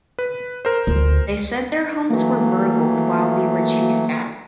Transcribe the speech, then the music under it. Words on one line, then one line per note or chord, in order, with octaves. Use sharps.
They said their homes were burgled while they were chased out.
B4
A#4 C5
D2
E3 F#3 A3 A#3